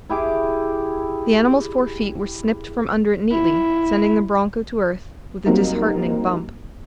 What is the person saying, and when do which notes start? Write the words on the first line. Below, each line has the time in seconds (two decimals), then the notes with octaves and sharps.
The animal's four feet were snipped from under it neatly, sending the broncho to earth with a disheartening bump.
0.09 E4 G4 G#4 D6
3.31 E4
5.46 F#3 G3 A#3 C4 D#4